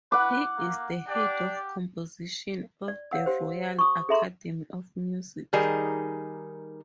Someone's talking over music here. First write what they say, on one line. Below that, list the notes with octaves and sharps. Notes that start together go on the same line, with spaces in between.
He is the head of composition of the Royal Academy of Music.
B4 F#5 D6
A#3
D4 G4 D5
D5
C#5 F5 F#5 E6
G4 C5
C#6 D#6
G#4 A4 E5 A#5 C6
D#3 G3 D#4 G#4 A#4